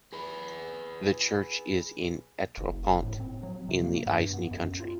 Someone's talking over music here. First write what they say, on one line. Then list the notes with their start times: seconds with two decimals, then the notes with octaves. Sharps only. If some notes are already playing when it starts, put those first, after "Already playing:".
The church is in Étréaupont, in the Aisne county.
0.13 G#4 B4
2.57 F#1
3.02 A2
3.20 C4
3.43 F#3
3.69 C3
3.84 A#3
4.06 G2
4.33 B3
4.51 F#2
4.80 F4